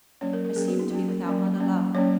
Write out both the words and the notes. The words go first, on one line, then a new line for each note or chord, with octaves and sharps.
I seemed to be without mother-love.
F#3 A#3 C#4 C#5
A#4
A#4
F#3 A#3 C#4 G#4
F#4
D#4
F#3 A#3 C#4 F#4
A#4
F#3 A#3 C#4
F#3 A#3 C#4
F#3 A#3 C#4 C#5